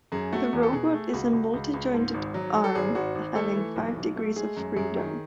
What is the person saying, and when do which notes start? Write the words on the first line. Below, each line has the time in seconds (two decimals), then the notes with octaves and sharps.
The robot is a multi-jointed arm, having five degrees of freedom.
0.12 F#2 G#4
0.33 A3 F#4
0.53 E2
0.63 A4
0.73 B2 G#4
0.93 A3
1.13 C#2 F#4
1.33 C#2
1.53 C#2
1.74 C#2
1.94 G#2
2.14 G#1
2.34 F#3
2.55 F#3
2.64 A4
2.75 G#1 G#4
2.95 G#1 F#4
3.15 G#1
3.35 A3 A4
3.55 E3
3.76 B1
3.96 B1
4.16 A3
4.36 G#3 G#4
4.57 F#2
4.76 F#2 G#4
4.97 D#3